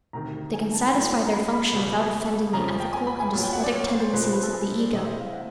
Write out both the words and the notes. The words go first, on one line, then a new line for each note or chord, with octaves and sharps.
They can satisfy their function without offending the ethical and aesthetic tendencies of the ego.
D2 C3 D#3 A#5
G#5
A5
G#2 F3 A3 C#4 A#5
A#5
B5
B5
C#2 B2 G3 B3
F2 C#3 F3 A#5
G5
G#5
B5
G#5
A#2 F#3 B3
G5
F#5
D5
C#5
C5
C5
C3 F3 G#3 B4
C5
B4
A4
G#4
D5
C3 E3 G#3 C4 D#5
E5
F5
F#5